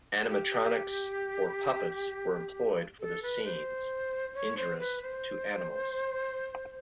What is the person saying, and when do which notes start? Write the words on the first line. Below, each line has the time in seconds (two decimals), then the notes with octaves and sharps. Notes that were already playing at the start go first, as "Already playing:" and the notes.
Animatronics or puppets were employed for the scenes injurious to animals.
0.24 F#4
0.29 G4
3.00 A4
3.22 B4
3.44 C5
4.34 C#5
4.57 C5
4.79 B4
5.02 C5